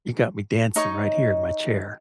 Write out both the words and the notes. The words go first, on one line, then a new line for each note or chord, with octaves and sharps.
you got me dancing right here in my chair.
D#4 C#5 D#5 C#6